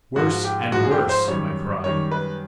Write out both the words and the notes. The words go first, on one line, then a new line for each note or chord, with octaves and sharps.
"Worse and worse!" I cried.
G#2 F3 F#4
G4
G#2 F3 F#4
G#4
G4
C5
F#2 D#3 G3 C#5
F#2 D#3 G3 C#5
B4